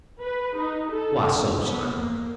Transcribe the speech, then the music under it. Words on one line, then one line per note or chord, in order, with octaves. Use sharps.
"Why so, Simon?"
B4
D#4
A4
D3
B3
A#3